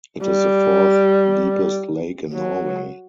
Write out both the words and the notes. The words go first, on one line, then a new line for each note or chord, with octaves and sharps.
It is the fourth-deepest lake in Norway.
G3
F#3